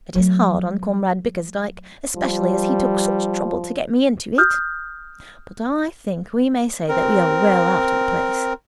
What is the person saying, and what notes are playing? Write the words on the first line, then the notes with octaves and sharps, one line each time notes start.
It is hard on Comrade Bickersdyke, especially as he took such trouble to get me into it, but I think we may say that we are well out of the place.'
F#3 A3
F3 G3
D#6 F6 G6
C4 A#4